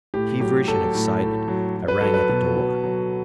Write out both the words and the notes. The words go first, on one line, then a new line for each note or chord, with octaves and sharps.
Feverish and excited, I rang at the door.
A2 G4
F#3 G4
F#3 A4
A2
A2
F#3
F#3
B4
F#3 A4
B4
B2
B2
F#3